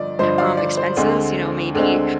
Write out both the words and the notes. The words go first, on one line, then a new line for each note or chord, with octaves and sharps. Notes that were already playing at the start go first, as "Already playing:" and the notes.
um, expenses, you know, maybe,
Already playing: G1 G2 F3 D5 D#5
G1 G2 F3 C5 D#5
D5 F5
D5
C5
D2 D3 G#3 C4
D2 D3 G#3 C4